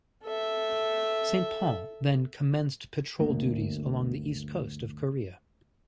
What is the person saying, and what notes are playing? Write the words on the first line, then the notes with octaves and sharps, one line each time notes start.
"Saint Paul" then commenced patrol duties along the east coast of Korea.
A4 E5
G1 D2 A#3